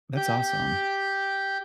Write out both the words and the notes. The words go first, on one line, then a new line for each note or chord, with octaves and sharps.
That's awesome.
G4 G6